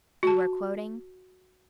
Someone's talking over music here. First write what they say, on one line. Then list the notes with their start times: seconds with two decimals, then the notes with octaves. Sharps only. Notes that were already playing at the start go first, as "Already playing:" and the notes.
"You are quoting?"
0.23 F#4 A5